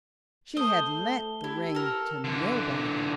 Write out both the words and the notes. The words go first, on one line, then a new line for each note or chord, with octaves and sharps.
She had lent the ring to nobody.
A3 C5 A5 D#6 G7
E4 G4
A4 A#4
D3 E3